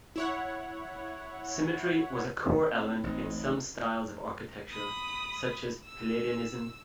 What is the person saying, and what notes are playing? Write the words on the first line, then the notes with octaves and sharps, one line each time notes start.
Symmetry was a core element in some styles of architecture, such as Palladianism.
E4 C#5 F#5
C4 B4
A1 C4 D#4
B5 D#6
E6